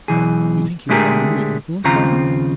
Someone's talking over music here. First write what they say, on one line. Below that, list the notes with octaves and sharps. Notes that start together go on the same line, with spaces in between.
"You think he was unduly influenced by him?"
B1 E3 G#4
D3 G#3 A3 G4 G#4 A#4
D#2 C#3 F3 C4 F4 A#5